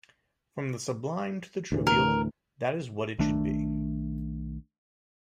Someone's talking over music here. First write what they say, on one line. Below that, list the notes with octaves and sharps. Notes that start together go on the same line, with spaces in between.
From the sublime to the trivial, that is what it should be.
D2 A2 E3
A#4
B1 D#3 A3 D4